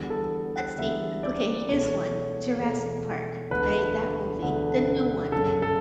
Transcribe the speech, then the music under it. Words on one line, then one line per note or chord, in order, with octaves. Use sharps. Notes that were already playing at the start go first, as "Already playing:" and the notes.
let's see. Okay, here's one, Jurassic Park, right, that movie, the new one.
Already playing: E2 D3 G3 B3
A4
F#5
E2 D3 G3 B3 E5
D5
E2 B2 A3 C#5
E2 B2 A3
E1 D2 D3 A3 B4
E1 D2 D3 A3
G1 F#2 C#3 A4
A4